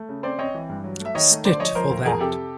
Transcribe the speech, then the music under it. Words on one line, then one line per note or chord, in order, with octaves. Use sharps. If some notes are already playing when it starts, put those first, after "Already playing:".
Stitt for that.
Already playing: A3
C#3
C4 C5 D5
C4 C#5 D#5
E3
G2
F#3
A3
E5
D#3 C#5 D#5
A3
D3 C5 D5
F3 C#5 D#5
F3 A#4 C5
D2
F2 G#4 A#4
C3 G4 A4